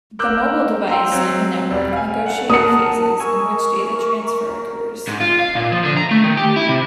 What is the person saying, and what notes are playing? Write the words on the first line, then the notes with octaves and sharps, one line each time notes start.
The mobile device and the network negotiate phases in which data transfer occurs.
A#4 D6 E6 F#6 G6
G5 A#5 C6 E6
F#3 C4
E1 G3
F5 G#5
A3 F#5
A#3 A#4 F#5 A5 D#6 C#7
G#5 C#6 E6
G#2
F4
F5
A#2
F3
D3
A#5
A3
D#3
G4
E4
C3